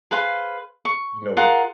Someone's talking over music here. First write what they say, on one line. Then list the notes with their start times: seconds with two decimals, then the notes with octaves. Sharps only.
you know, with,
0.11 G#4 B4 C5 F5
0.85 C#6
1.37 F4 G#4 A#4 F#5